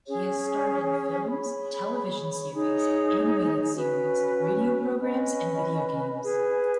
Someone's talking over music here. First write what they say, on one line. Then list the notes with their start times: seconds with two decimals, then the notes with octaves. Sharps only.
He has starred in films, television series, animated series, radio programs and video games.
0.06 C#4 G#4 C#5
1.30 G#4 C#5 B5
2.53 D#4 G#4 C#5
3.76 C#4 F#4 B4
4.99 C#4 B4 D#5 B5
6.22 G#4 B4 G#5